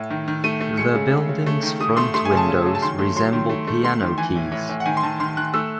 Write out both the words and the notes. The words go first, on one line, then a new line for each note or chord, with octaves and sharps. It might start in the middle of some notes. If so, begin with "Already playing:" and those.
The building's front windows resemble piano keys.
Already playing: A2
D#3
D#3
A3 D#7
A3
G#3 C#7
C#3
C#3
C#3
A3
D#3
A3 D#6
A3 C6
A3 C6
G#5
C#3
A5
C#3
F#3
A5
D#3 C6
A3
F#3 C6
D#3
A3
A3
A3 C6
D#3
E3 G#5
A2
A2
A2
F#5
D#3 G#5
C6
D#3 A5
D#3 C6
D#3 F#6
A3 E6